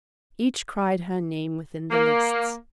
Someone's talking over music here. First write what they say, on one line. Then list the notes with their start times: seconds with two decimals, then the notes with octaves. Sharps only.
Each cried her name within the lists.
1.90 A#3